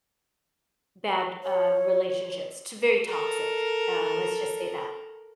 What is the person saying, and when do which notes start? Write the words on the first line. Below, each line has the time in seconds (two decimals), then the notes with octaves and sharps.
bad, uh, relationships t very toxic, um, let's just say that.
1.44 C#5
3.08 A4 A#4